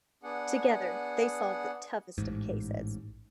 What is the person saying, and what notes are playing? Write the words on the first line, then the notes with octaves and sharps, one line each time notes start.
Together, they solve the toughest of cases.
B3 D4 G#4 F#5
A1 G#2